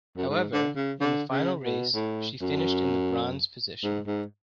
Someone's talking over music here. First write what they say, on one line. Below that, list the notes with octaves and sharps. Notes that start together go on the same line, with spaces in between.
However, in the final race she finished in the bronze position.
F#2
G#2
D3
C#3
D3
C#3
B2
A2
F#2
G#2
G#2